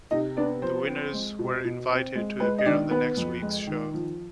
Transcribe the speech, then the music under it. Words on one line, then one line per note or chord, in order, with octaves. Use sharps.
The winners were invited to appear on the next week's show.
C3 D#4 D#5
B3 D4 D5
F3 C5
C4
G#3
B2
B2
C4
G#3
G#3 B4
D#5
D#3 D4 D5
B3 B4
F2
G#3
D#3
F3